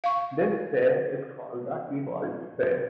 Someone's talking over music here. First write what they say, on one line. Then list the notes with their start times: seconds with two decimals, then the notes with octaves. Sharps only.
This sphere is called the Ewald sphere.
0.04 F5 C#6